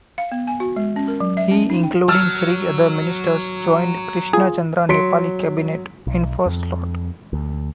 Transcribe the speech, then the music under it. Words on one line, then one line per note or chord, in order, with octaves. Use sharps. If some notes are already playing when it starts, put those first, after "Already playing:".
He including three other ministers joined Krishna Chandra Nepali cabinet in first lot.
F5
B3
G#5
F#4
G#3
C#4
A#4
F#3
E5
C#4
D#4
G5
F#3 A5 E6 F6
F4 G#4
F#3 C6 B6 C#7 D7
B1
F2
D2